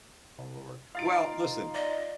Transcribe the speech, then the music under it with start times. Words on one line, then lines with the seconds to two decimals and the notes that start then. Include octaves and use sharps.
lord well, listen.
0.95 D#4 F4 F5 A6 D7
1.75 D5 D#5